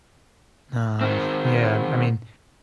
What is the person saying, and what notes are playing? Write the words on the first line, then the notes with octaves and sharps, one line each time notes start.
Nah, yeah, b I mean,
D#3 C4